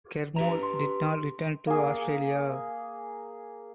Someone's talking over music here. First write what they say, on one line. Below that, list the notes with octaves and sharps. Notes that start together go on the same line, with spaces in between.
Kermode did not return to Australia.
G4 B4 A#5
C6
A#3 G#4